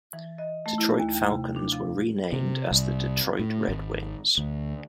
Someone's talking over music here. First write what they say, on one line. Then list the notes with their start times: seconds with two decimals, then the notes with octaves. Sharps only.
Detroit Falcons were renamed as the Detroit Red Wings.
0.13 E3
0.38 D#5
0.66 A3
0.78 E4
0.99 D#2
1.13 G5
1.27 C3
1.56 D4
1.72 F3
2.32 C3
2.71 C2
3.39 A2
3.68 G#1
4.38 D2